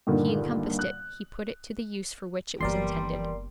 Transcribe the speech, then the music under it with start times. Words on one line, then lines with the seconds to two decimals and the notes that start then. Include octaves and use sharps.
If he encompassed it, he put it to the use for which it was intended.
0.07 G2 A#2 D3 D#3
0.79 F#6
2.61 F#1 E3 G3 B3 A#4 D5 C6